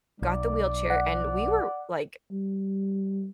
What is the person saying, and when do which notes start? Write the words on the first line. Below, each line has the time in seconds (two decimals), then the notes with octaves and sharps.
got the wheelchair, and we were, like
0.22 B1 D5
0.90 F#5
2.31 G3